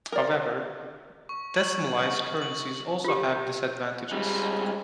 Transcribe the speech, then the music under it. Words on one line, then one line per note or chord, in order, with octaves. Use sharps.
However, decimalised currencies also have disadvantages.
A#4 D5
C#6
F#7
F#7
F4 G4
C#2 G3 G#3